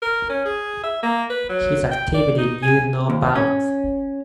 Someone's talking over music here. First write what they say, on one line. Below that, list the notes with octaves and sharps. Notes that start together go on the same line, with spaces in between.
His activity knew no bounds.
A#4
C#4
G#4
E5
A#3
B4
F#3
G5
D5
D#4
G#5
D#2
C#4